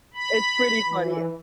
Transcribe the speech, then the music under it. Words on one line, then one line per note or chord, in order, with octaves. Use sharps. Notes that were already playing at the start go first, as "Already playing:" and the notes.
It's pretty funny
B5
E3